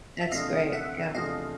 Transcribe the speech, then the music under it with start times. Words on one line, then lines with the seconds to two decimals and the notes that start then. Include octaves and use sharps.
That's great, yeah.
0.21 E5
0.31 E2 C3 F3 A3 D4 D#5 F5
0.73 E5 F#5
1.14 E2 C3 F3 A3 D4 D#5 F5